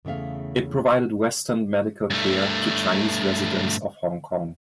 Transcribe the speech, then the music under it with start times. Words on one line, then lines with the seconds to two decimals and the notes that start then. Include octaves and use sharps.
It provided Western medical care to Chinese residents of Hong Kong.
0.05 E2 C#3 A3 E5 F5
2.10 G2 A3